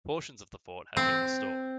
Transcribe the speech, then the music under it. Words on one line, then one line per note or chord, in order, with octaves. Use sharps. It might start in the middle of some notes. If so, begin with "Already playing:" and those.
Portions of the fort have been restored.
C4